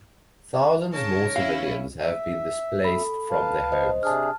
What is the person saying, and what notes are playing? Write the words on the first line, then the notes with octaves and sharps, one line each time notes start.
Thousands more civilians have been displaced from their homes.
C#3 A#4 C#5 A5
C#4 E4 F5
E5
A4 B5
B4 F5 A5
C5 D#5
C3 D4 G#4 A5 F6